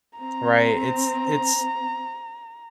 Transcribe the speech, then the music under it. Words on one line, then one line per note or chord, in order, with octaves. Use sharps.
Right. It's it's
C4 A#5